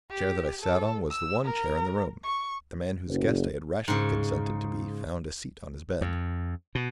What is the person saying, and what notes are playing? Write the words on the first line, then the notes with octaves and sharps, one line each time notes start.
The chair that I sat on was the one chair in the room; the man whose guest I had rashly consented to be found a seat on his bed.
G4
A4
E6
A#4
C#6
F#1
G#2 C#3
F2
B2